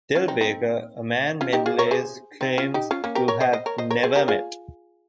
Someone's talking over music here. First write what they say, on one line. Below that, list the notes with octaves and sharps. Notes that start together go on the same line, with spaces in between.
Del' Baker, a man Melendez claims to have never met.
C#4 F4
C4 D#4
C4 D#4
C#4 F4
D#4 G4
F4 G#4
A#4 C#5
G#4 C5
C4 D#4
C#4 F4
D#4 G4
C#4 F4
A#3 C#4
G4 A#4
A#4 C#5
C5 D#5
C5 D#5
A#4 C#5
C5 D#5
A#4 C#5
G#4 C5
G4 A#4
F4 G#4